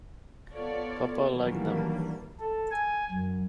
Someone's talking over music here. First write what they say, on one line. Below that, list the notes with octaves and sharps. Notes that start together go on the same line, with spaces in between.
Papa liked them!
B3 F4 A4 C#5 D5
D#3 E3 F#3 G3 A#3 D4
A4
G#5
F#2